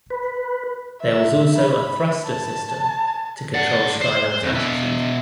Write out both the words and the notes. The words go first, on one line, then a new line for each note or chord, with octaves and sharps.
There was also a thruster system to control Skylab's attitude.
B4
E5
B5
A5
D5 F#5
C5
F2 E4
B2 E5